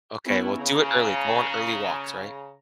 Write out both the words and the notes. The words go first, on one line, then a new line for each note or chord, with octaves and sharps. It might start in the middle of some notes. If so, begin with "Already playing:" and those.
Okay, well, do it early. Go on early walks, right?
B3 C#4 E4
C#3 A#5